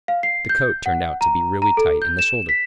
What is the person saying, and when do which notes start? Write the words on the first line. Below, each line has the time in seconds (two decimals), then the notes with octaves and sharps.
But the coat turned out to be really tight in the shoulders.
0.08 F5
0.23 C7
0.49 G6
0.86 F#5
1.21 A#5
1.62 A#5
1.77 A4
2.02 G6
2.19 E7
2.49 B6